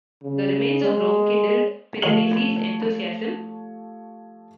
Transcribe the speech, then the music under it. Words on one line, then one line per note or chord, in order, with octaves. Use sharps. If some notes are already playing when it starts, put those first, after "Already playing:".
The remains of Rome kindled Piranesi's enthusiasm.
C#3
G#3
F3 A3 G4 C#5 F7 F#7